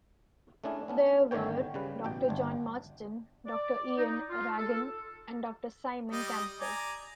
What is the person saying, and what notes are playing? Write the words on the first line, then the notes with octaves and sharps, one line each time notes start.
They were: Doctor John Marsden, Doctor Ian Ragan and Doctor Simon Campbell.
A3 C#4 D4 E4 G#4
B3 C#4 D4
G1 D3 D#3 C#4 C#5 G5
C#3 G3 B4
A1 B2 G5
G1 D4
D5
D#4
F4
A4
G3 D#5 D#6
D5 G#5 A#5